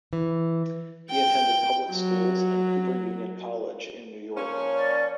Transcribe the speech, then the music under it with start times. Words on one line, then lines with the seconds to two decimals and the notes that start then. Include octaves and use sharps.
He attended public schools and Cooper Union College in New York.
0.13 E3
1.11 G5
1.93 F#3
4.34 F3 A#3 C#4
4.75 D5